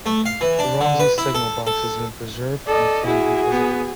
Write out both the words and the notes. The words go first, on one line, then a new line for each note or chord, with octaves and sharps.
The Romsey Signal Box has been preserved and can be visited.
A3
F5
E3
D4
D3
B4
E4
A4
A4
A4 D5 D#5
E4 F#4 G#4
B3